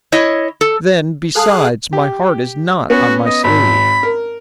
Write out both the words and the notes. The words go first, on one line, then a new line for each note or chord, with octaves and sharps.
Then, besides, my heart is not on my sleeve.
E4 C#5 D#5
A4
G#4 A4 F5 A5 D#6 F#6
G4
B3 C#4 F#4
D#5
G#1 B5
A#4